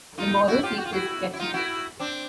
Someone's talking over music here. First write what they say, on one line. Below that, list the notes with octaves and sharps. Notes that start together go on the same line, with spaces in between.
The borough seat is Ketchikan.
D#4 F4
E4 F#4
F4 G4
F#4
F4
E4 F#4
E4
D#4 F4
E4 F#4
C4 D4